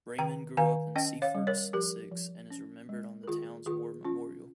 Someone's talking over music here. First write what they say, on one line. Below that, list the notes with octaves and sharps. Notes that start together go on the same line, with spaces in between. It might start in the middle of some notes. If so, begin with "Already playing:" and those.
Raymond grew up in Seaford, Sussex, and is remembered on the town's war memorial.
D#3 G5 A#5
D#3 F5 G#5
C#4 D#5 G5
C#5 F5
G3
A#4 C#5
F3 G4 A#4
F3
C#4
G#3
A#4
D#3 F4 G#4
D#3 F4 G#4
C#4 F4